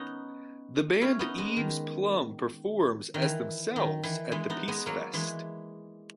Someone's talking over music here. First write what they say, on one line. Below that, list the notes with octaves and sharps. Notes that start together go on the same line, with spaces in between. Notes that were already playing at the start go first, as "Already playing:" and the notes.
The band Eve's Plum performs, as themselves, at the Peace Fest.
Already playing: B3 C#4 D#4
C#4 E4
B3 D#4
G#3 B3
D#3
D#3
E3
D#3
E3
E3 G#3
B3 D#4
G#3 B3
F#3 A#3
E3 G#3